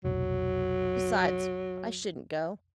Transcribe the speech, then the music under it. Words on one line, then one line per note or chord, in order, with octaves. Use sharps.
Besides, I shouldn't go.
F1 B1 F#3